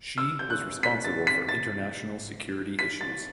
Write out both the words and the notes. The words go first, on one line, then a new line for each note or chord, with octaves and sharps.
She was responsible for international security issues.
E6
G6
F#6
B6
A6
B6
A6
B6
A6